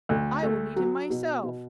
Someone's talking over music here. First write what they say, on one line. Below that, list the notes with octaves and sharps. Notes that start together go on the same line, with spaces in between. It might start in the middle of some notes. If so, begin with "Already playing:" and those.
"I will meet him myself!"
D2
A3
F#3
B2
B2